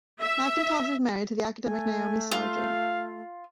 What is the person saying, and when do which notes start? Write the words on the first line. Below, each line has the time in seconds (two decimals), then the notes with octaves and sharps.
McIntosh was married to the academic Naomi Sargant.
0.21 E5
1.67 A3 G#5
2.31 F4 F5